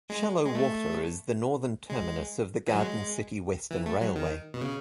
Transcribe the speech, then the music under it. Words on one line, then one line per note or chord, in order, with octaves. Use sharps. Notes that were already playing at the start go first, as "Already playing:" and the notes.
Shallow Water is the northern terminus of the Garden City Western Railway.
G#3
G#3
A3
G#3
E3
F#3
G#3
E3
A3
F#3
D#3
B2
C#3